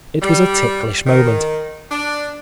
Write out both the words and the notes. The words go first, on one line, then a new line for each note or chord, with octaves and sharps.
It was a ticklish moment.
G3
D#3
D4